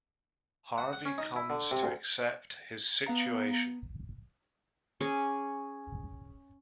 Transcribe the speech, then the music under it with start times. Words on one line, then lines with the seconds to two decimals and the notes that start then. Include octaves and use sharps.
Harvey comes to accept his situation.
0.78 F#5
0.93 F#5
1.05 C#4
1.18 D#4
1.36 E4
1.50 D3
1.71 C3
1.83 D2
3.06 B3 F5 A#5
5.00 C#4 G#4 C#6 D6